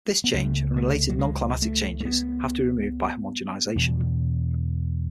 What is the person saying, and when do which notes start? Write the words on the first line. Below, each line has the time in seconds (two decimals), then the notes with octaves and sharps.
This change, and related non-climatic changes, have to be removed by homogenization.
0.24 B3
0.34 C#2 C#3 A3
0.76 A3
1.09 F#3
1.19 G#3
1.62 A3
2.01 A3
2.05 B3
3.76 E2 B2